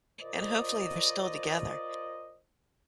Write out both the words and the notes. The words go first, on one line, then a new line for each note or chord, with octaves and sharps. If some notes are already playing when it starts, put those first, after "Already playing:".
and, hopefully, they're still together,
F4 A#4 C5 D5 D#5